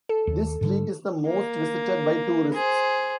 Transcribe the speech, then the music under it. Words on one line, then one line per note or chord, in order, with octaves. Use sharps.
This street is the most visited by tourists.
A4
D#2
G#2 D3 G3
A#3
G#4 C5